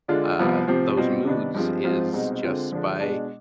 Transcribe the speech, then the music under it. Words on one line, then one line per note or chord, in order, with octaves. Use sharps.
uh, those moods is just by,
D3 G#3 D4 F4
C2 C3 F3 B3 F4
C3 F3 C4 F4
B2 G3 C4 F4
C3 D#3 B3 D4
G2 F3 G#3 C4 F4
G#2 F3 C4 F4
C2 B2 G#3 C4 D#4
D3 G#3 C4 F4
D3 F3 G#3 D4 F4
B2 G#3 D4